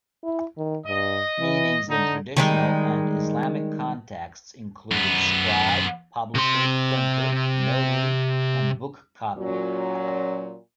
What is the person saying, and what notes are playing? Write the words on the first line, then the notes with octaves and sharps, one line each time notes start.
Meanings in traditional and Islamic contexts include "scribe", "publisher", "printer", "notary" and "book-copier".
E4
D#3
G2 D#5
E3
D3 D#4
D#3 G3 G#3
F#2 B3
C3 C6
A#2 F#3 C#4